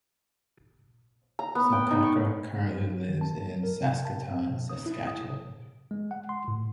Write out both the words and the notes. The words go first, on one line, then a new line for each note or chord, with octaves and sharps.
Sokyrka currently lives in Saskatoon, Saskatchewan.
A#5
B3
G5
D#4
C#6
D#3
A5
F#3
A#4
C3
A5
C4
B2
D#6
E4
D#6
G#3
F#5
C6
A2